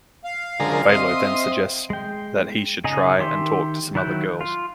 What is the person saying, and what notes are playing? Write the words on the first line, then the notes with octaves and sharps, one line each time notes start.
Valo then suggests that he should try and talk to some other girls.
F5
F#2 D3 F3 G#3 A#4
C4 D#5 E5 C6
G#3 G5
C#3 D#4 G#4 D#5 G#5
D#3 G4 E5 C6
D#3 F#3 E4 F#6 G6
F4